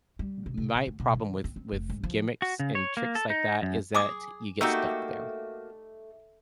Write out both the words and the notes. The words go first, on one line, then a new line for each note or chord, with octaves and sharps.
my problem with with gimmicks and tricks like that is that you get stuck there.
G3
C3
C3
A#2
D2
B2
E3
C4
C4
F1
G#2
F3
F#4
C#3
C#5
A#3
A4
D#4
F#2
G#4 G#5 D6 D#6
G3 A3 A#3 D#4 F#4 G4 E6